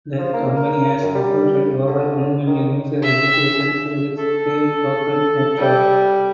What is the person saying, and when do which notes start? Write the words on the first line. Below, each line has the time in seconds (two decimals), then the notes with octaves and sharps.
The company has reported over one million user registrations to its Flame Token airdrop.
0.18 F3
0.33 A#3
0.57 A#4
1.02 F#2
1.15 G3
1.87 D3
2.47 D#3
3.03 E5
4.17 A4
5.57 G3